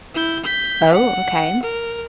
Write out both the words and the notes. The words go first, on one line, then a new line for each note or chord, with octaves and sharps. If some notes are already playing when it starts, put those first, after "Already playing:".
Oh, okay.
E4 G6
G6 B6
F#5
A#4